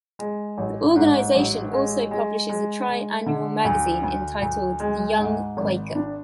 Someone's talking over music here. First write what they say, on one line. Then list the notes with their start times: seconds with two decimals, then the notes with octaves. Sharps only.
The organization also publishes a tri-annual magazine entitled The Young Quaker.
0.19 G#3
0.58 A1
0.96 G#2
1.34 A1
1.73 G#3
2.11 G#3
2.49 G#3
2.88 G#3
3.26 D3
3.65 D2
4.03 D2
4.41 D2
4.80 G#3
5.18 G#2
5.57 G#1
5.95 D4